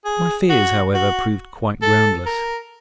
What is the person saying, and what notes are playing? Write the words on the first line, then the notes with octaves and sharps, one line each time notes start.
My fears, however, proved quite groundless.
G#4
F#4
F#4
A4
A#4